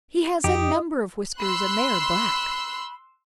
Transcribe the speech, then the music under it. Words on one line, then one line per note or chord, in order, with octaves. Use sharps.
He has a number of whiskers and they are black.
F2 D#4 G4
B5 C6 E6 F#6